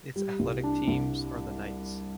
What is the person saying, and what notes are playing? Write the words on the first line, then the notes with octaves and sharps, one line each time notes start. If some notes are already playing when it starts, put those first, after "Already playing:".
Its athletic teams are the Knights.
G3
C2
D4
C2